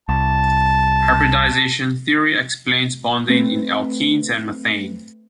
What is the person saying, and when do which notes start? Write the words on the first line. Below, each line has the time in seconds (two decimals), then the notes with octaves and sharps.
Hybridisation theory explains bonding in alkenes and methane.
0.09 C2 A5
3.28 A3 C4 B4